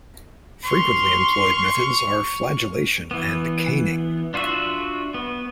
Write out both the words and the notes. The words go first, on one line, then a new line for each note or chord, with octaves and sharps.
Frequently employed methods are flagellation and caning.
C6 C#6 F6
E3 B3
D4 F4 F#4 E5
B3